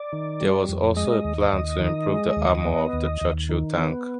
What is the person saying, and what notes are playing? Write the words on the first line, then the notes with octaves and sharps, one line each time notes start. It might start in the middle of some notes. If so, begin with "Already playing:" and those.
There was also a plan to improve the armor of the Churchill tank.
Already playing: D5
D#3
G3
F2
G#3 D#5
D#2
D#2
D#3
G#3
D#2
B3
D#2
D#2
D#3
B3